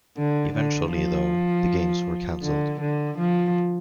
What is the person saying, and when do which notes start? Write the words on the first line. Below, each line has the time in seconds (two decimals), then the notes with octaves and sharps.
Eventually, though, the Games were canceled.
0.17 D3
0.55 D3
0.93 F3
2.42 D3
2.80 D3
3.18 F3